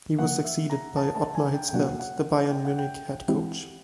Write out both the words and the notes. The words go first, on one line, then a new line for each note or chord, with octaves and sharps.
He was succeeded by Ottmar Hitzfeld the Bayern Munich head coach.
C#3 F3 A#3 F#5
E5
A#5
A5
A5
G#5
G5
G5
B2 F#3 A#3 D4 F#4 F#5
F#5
G5
F#5
G5
E3 G#3 C4 E4 G4